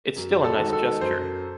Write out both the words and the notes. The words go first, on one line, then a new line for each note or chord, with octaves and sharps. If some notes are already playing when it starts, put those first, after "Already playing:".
It's still a nice gesture.
F#2
A4
D#3 G#3 D#4 F#4
A4
F#2 C5